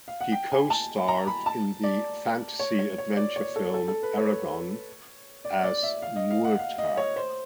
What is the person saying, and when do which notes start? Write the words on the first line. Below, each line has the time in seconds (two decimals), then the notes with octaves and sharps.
He co-starred in the fantasy-adventure film "Eragon" as Murtagh.
0.08 F5
0.21 F#5
0.32 G5
0.52 G#5
0.70 A5
1.08 A#5
1.27 B5
1.46 A5
1.84 D5
2.60 C#5
2.79 C#5
2.98 C#5
3.17 D5
3.36 C#5
3.56 A4
3.74 A4
3.88 A4
4.03 B4
4.17 C#5
5.45 D5
5.64 D5
5.83 E5
6.02 F5
6.16 D#5
6.30 F5
6.45 F#5
6.59 F5
6.78 D#5
6.97 C#5
7.16 C5